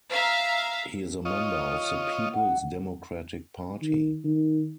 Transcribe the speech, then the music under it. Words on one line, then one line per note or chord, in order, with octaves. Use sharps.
He is a member of the People's Democratic Party.
E5 F5 A#5
F4 C#5 D#5
F#5
D#3
D#3